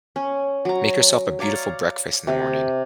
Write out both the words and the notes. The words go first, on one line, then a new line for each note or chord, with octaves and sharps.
make yourself a beautiful breakfast in the morning.
C#4
F#3 A#5
C#5 D5 F5 A#5
C3